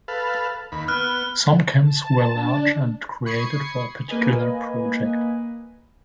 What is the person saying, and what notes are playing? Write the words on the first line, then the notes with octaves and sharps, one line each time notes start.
Some camps were large and created for a particular project.
A4 B4 F5
D#2 B5
B3 F6 F#6
A5
D4
B5 C#6 D#6 G#6 C7 C#7
A#3 B4 D#5 G#5